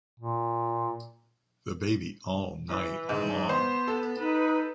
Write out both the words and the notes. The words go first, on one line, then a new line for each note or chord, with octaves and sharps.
The baby all night long.
A#2
E3
G#2
B3 C5
A4
D#4 B4